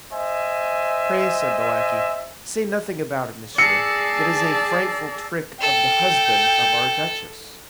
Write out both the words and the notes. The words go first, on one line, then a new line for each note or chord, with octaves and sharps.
"Pray," said the lackey, "say nothing about it, monsieur; it is a frightful trick of the husband of our duchess!"
C5 D#5 E5 G#5
G#4 D5 A5 E6 A#6 C7 C#7
A4 G5